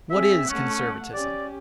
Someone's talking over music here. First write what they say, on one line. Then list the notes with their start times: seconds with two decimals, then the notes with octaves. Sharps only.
What is conservatism?
0.11 C4 G#4 E5
0.49 A3 C#4 F#5
1.13 C#4 G4 D5